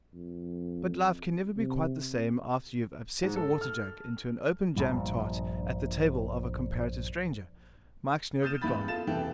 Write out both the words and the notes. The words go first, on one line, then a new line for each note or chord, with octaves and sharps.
But life can never be quite the same after you have upset a water-jug into an open jam-tart at the table of a comparative stranger. Mike's nerve had gone.
F2
C3
G#2
A4
F6
A#1 G2 A#2 G3
D#6 F6 G6 A6 D#7 E7
A1 E2 E3 A#3 B5 A6
F4 A4 A6 E7
E1 C3 E3 A4 G5